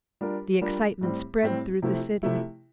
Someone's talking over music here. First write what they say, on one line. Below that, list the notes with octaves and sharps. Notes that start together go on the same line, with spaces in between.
The excitement spread through the city.
G3 D4 F4 A#4
G3 D4 F4 A#4
A2 G3 C4
A2 G3 C4
C3 F3 A3 E4
C3 F3 A3 E4